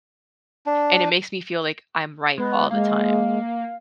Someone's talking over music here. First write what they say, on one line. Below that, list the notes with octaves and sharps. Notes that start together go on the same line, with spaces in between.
and it makes me feel like I'm right all the time,
D4
G#3 B3
G#3 A#3 F5